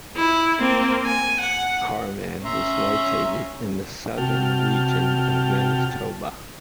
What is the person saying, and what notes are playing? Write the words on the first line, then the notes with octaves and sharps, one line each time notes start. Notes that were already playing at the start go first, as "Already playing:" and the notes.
Carman was located in the southern region of Manitoba.
E4
A#3 C4
G#5
F#5
C#4 E5 A#5 C6
C3 F#4 G5 A5 F6